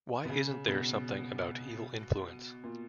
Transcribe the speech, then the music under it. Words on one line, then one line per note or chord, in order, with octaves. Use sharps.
Why, isn't there something about evil influence?
B2
C#3
B2
A#2